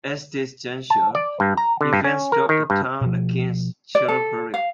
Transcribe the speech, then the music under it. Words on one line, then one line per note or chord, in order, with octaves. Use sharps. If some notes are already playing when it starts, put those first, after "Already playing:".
At this juncture, events took a turn against Chilperic.
A5
D5
G2
A#5
D3
G2
C#4
A#4
D#3
G2
B2 F3
D5
A4
F5